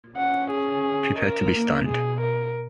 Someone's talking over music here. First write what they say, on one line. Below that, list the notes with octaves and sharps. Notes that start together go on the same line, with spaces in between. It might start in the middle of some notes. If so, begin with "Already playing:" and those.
Prepare to be stunned.
C#4 F#5
G#4
A#4
A#3
B2 G#4
A#4